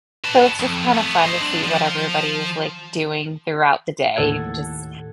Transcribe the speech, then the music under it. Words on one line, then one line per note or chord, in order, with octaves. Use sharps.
so it's just kind of fun to see what everybody is, like, doing throughout the day, you can just
B4 A5
F2
A3 B3
C5 D#5
C2 D4
F3
D#2 A2 A4 F#5 G#6